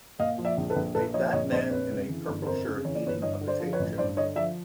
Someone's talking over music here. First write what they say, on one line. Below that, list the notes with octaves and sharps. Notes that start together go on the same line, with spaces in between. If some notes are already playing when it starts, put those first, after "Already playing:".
A fat man in a purple shirt eating a potato chip.
A#2 D#5 F5
F3
D5 E5
A#1
A4 B4
A#1
A#2 A4 B4
F3 C#5 D#5
A#1 C#5 D#5
A#1 C5 D5
F2 B4 C#5
C#3
E3
G1
F2 A#4 C5
C#3
E3 C#5
D5
G1 B4 C#5
G2 C#5 D#5
D3
C5 D5
F3
B4 C#5
A1
G2 C5 D5
D3 C#5 D#5
F3 D5 E5